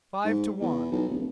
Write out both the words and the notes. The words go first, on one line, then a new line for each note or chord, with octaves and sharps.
Five to one!
G#2
E2
B1
D1